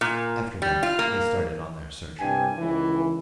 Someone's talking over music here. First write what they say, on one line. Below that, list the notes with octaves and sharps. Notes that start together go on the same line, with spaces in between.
After that, they started on their search.
A#2
G3
F4
A#3
C2 G2 D4 G5 G#5
C#2 D#3 E3